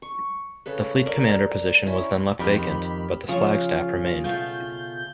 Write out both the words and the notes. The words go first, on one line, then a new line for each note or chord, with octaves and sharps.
The fleet commander position was then left vacant, but the flag staff remained.
C#6
C#3 A4 B4
A4 A#4 D5
C#4 E4 A5 A#5
F2 D#3 G4 B5
C#3 F3 F4 C#5
B2 A3 F4 G6